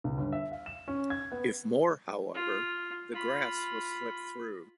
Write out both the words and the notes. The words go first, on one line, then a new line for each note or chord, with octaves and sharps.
If more however, the grass will slip through.
C#2
G1
E5
F5
E7
C#4
G#6
B3
F4
F4 B5